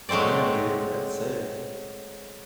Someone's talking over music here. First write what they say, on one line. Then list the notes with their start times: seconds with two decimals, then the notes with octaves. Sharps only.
Damn, dude, that's sick.
0.09 F#3 G#3 A3 C4 D5